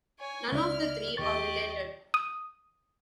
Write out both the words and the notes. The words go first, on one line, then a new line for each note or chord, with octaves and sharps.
None of the three are related.
C#5 G#5
C#2 E4 D5 F6
D#2 G4 D#5 C#6 A6
D#6